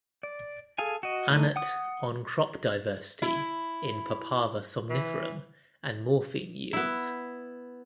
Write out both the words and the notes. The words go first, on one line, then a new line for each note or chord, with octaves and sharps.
Annett on crop diversity in "Papaver somniferum" and morphine yields.
D5
G#4 A4 F5 G#5
F#4 D#5
E3 A3 D#4
F#5 D#6
E4
E3
B3 E4